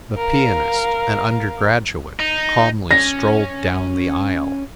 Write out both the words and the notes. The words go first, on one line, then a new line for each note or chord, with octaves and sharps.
The pianist, an undergraduate, calmly strolled down the aisle.
A#4 F5
D#4
C#4 A#6